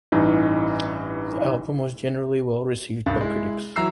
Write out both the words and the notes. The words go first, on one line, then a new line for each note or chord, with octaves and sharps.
The album was generally well received by critics.
A1 G2 E3 D#4 D#5
C2 G2
G#3 E4
E3 F#3 E4 A#5 E6 C7